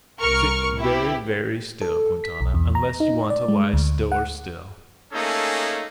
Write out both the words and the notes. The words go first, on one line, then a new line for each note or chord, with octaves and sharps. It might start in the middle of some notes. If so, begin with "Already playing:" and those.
Sit very, very still, Quintana,--unless you want to lie stiller still....
C2 A#4 C#6 F6
E4 G4
A4
B6
B1
E2
A#5
D#4
D5
G#3
D2
F#5
A3 A#3 C#4 D#4 G#4 A4